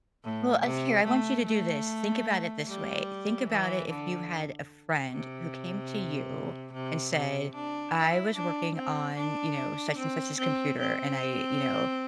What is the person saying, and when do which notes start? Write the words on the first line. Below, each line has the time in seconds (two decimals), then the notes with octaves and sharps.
Well, uh, here, I want you to do this, think about it this way, think about it if you had a friend who came to you and said, "I was working on, you know, such and such's computer and I, you know
0.24 A2
0.65 C3
1.05 A3
1.46 A3
2.67 G3
3.49 E3
3.89 D3
5.11 C3
6.73 C3
7.13 C3
7.54 D4
7.95 E4
8.36 D4
8.76 C4
9.16 D4
9.98 C4
10.38 C4
10.79 C4